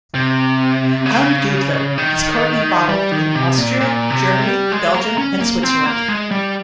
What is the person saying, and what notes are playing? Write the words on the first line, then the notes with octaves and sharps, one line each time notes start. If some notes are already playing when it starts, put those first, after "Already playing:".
Almdudler is currently bottled in Austria, Germany, Belgium, and Switzerland.
C3
C#3
D#3
G3
D#3
C3
A#2
A#2
C3
G3
G#3
A#3
C#4
A#3
C4
A#3
G#3
G3